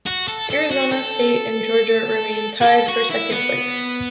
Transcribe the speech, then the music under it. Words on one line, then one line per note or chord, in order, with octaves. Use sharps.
Arizona State and Georgia remained tied for second place.
F#4
A4
A4
F#4
A4
F#4
A4
F#4
E4
B3